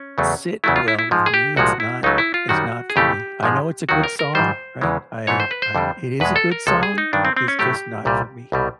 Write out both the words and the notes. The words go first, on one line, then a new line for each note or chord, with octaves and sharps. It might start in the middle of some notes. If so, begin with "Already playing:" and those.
sit well with me, it's not it's not for me. I know it's a good song, right? I I it is a good song, it's just not for me.
Already playing: C#4
E2 C#3 F#3 A3
E2 C#3 F#3 A3 E4
F4
E4
E4
G#2 F3 G#3
G#4
G4
C2 A#2 F3 G#3 F#4
E4
C#2 C#3 F#3 A3 D#4
E4
F4
F#2 D#3 G3 F#4
G#4
F2 C#3 E3 A3 G4
G#2 F3 G#3
D#2 D#3 F#3 F#4
A#4
A#4
G#2 D#3 G3 C5
E2 C#3 E3 G#3
G#2 E3 A3 C#5
C5
B4
C5
F2 D3 G3
E2 B2 G#3 B4
A4
A#4
C#2 C3 F3 G#3 A4
G#4
D#4
G2 D#3 F#3 D4
C4
C4
C#4
A2 F#3 A3 G4
C2 A#2 G3
C2 B2 G3